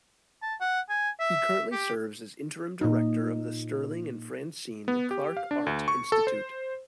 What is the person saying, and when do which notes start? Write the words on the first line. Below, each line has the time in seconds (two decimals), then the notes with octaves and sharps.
He currently serves as Interim Director of the Sterling and Francine Clark Art Institute.
0.43 A5
0.61 F#5
0.90 G#5
1.20 E5
1.72 G4
2.81 A#2 D#4
4.88 B3
5.11 G4
5.37 F5
5.51 D4
5.66 D2
5.88 C#6
6.12 A4
6.27 C5